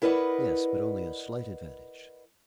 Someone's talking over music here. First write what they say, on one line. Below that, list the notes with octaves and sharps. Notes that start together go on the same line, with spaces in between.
"Yes, but only a slight advantage."
E4 A#4 B4 D5 D#5 F#5